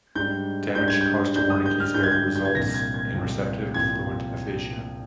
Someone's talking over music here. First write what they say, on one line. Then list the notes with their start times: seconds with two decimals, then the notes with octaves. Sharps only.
Damage caused to Wernicke's area results in receptive, fluent aphasia.
0.15 G#2 G3 D4 G6
0.75 G#2 G3 D4 G6
0.88 G#6
1.01 G6
1.35 G#2 G3 D4 G6
1.50 D#6
1.66 G6
1.80 F6
1.94 G#2 G3 D4 G6
2.03 G#6
2.11 G6
2.36 G6
2.45 G#6
2.55 C2 A#2 F3 C4 A#6
2.74 G#6
2.94 G#6
3.14 C2 A#2 F3 C4
3.74 C2 A#2 F3 C4 G#6